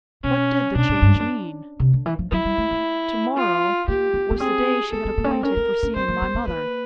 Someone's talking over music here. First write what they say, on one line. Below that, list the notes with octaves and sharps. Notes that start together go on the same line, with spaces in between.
What did the change mean? "To-morrow" was the day she had appointed for seeing my mother.
B2 C#4
B2 D4
A2
G2
F#2
C3
D3
E3
F3
F#3 E4
G3
A3
A#3
F4
A#3 G4
B3
B3
C4 G#4
B3 A4
B3
A#3
C#4
C4
C#4 A#4
C4
C#4
C4 C5
A#3
B3
B3
A#3 B4